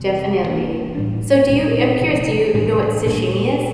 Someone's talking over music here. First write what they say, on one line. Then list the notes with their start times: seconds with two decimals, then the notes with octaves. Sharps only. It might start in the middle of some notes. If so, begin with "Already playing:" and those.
definitely, so do you I'm curious, do you know what sashimi is?
Already playing: F2 C3 E3 G3
0.43 G2 E3 A#3 D4
0.95 A2 G3 D4
1.48 A#2 G3 C4
2.01 C3 E3 A3
2.54 A2 E3 G3 D4
3.06 A#2 G3 A#3 D4